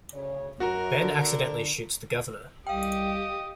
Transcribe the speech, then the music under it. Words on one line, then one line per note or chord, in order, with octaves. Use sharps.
Ben accidentally shoots the governor.
D2 C#3 C#5
F#2 F#4 A#4
D3
C2 G4 D#5 F5 G5 D#6